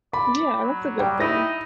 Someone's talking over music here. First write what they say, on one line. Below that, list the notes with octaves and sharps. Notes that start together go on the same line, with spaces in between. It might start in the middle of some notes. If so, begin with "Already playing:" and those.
Yeah, that's a good thing.
D5 B5
F#3
G3 G5
D#4 E4 A#6